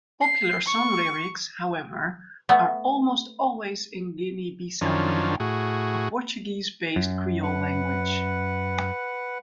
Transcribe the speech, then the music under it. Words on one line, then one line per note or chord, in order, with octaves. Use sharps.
Popular song lyrics, however, are almost always in Guinea-Bissau Creole, a Portuguese-based creole language.
C7
C#6
A3 B3
F#2 D#3 F3 C#4 D4
A2 F#4 G#4
F#2
B4 F#5